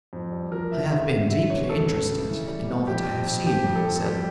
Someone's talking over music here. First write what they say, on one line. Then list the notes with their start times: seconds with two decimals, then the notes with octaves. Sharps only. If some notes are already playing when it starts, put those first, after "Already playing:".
"I have been deeply interested in all that I have seen," he said.
0.13 F2
0.32 G3
0.51 F3 A#4
0.71 E2 E5
0.91 D3 E5
1.11 D3 E5
1.30 D3 E5
1.49 E2 C#5
1.69 C#2 A4
1.89 C#3
2.09 C#3
2.29 E3
2.48 G3
2.68 G3
2.87 F2 G4
3.07 F2
3.26 F2
3.46 F2 G4
3.66 F2
3.76 A4
3.85 F2
3.96 A4
4.05 G3 G4